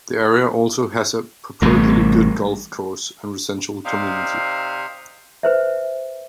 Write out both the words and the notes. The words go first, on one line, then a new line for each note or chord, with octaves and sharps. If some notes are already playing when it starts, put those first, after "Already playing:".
The area also has a purportedly good golf course and residential community.
A1 A2 C3 G3 G#4 A#4
C3 D#4 D5 F5
B4 C5 E5